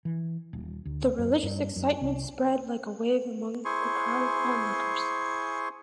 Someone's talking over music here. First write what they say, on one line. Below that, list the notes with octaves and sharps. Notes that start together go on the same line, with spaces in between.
The religious excitement spread like a wave among the crowd of onlookers.
E3
D#1
D2
F#2
G2
F#2
C2
E4 G#4 C5 G#5 C6 C#6